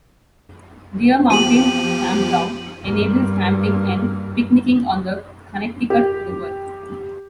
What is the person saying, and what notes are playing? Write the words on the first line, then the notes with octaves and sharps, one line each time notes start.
Deer Mountain Campground enables camping and picnicking on the Connecticut River.
F3 B3 G4 D#7 F#7
G2 A#3
G4